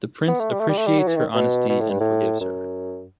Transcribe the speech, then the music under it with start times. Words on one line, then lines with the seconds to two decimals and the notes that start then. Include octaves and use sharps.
The Prince appreciates her honesty and forgives her.
0.28 B3
0.40 A3
0.52 G3
0.59 A3
0.69 G3
0.77 A3
0.86 G3
0.99 F#3
1.08 E3
1.16 D#3
1.34 B2
1.69 B2
1.80 A2
1.90 G2
2.00 A2
2.41 F#2